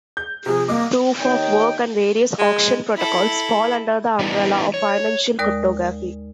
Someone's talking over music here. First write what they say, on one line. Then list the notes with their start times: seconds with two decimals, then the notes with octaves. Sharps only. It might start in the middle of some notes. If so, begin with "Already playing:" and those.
Proof of work and various auction protocols fall under the umbrella of Financial Cryptography.
0.17 G6
0.46 C3 F3 G#4
0.68 C2 A#3 D#5 D6
1.19 D#2 D#4 C#5 G5
2.39 G#3
2.96 E4 A4
4.19 E3 G3 B3 D4 D#4
4.74 C#5
5.39 D#2 G#3 A#4 D5 D#6